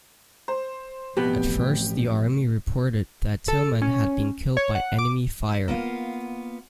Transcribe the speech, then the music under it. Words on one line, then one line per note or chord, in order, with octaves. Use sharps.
At first, the Army reported that Tillman had been killed by enemy fire.
C5
A1 F2 B2 B3 G4
A4
C#4
C#5
F#5
D6
A#3 B3 F4 F5